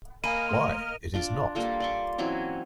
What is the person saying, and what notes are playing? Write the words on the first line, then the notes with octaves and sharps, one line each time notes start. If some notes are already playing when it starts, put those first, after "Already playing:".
Why, it is not!
A#3 A#4 D#5 F5 G#5 B5 F6 D#7
A3 C6
D4 F4 D5
G3 A#3 F4 A4
D5 C6 C#6
E3 F#3 C4 C#4